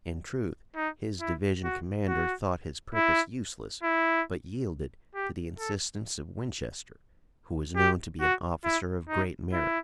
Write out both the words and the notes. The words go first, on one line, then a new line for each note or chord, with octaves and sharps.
In truth his division commander thought his purpose useless, but yielded to the insistence of Winchester who was known to be an officer of great merit.
D#4
E4
F#4
F#4
E4
E4
G4
A4
G4
F#4
E4
D#4
E4